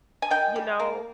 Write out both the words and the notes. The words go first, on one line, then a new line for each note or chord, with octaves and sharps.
you know?
G#5
D#3 G5
G3
A#3